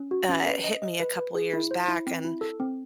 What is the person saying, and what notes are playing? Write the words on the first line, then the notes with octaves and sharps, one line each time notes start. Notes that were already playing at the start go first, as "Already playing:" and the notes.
I uh, hit me a couple years back and
Already playing: C#4
F#4
C#4
B4
D#5
D#5
B4
B4
G#4
E4
C5
E4
C4
E4
A4
C4